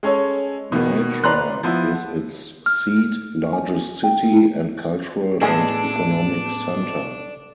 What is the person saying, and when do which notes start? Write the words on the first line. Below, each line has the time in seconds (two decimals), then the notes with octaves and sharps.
Nitra is its seat, largest city, and cultural and economic center.
0.03 G#3 C#4 A4 C#5
0.72 B2 D#3 A#3 B3
1.24 B4 D5 A#5 C6 F#6
1.63 F3 B3 E4
2.66 F6
3.53 G#5
4.04 G5
4.33 E4
5.41 A2 G#3 B3 D4 G#4 A4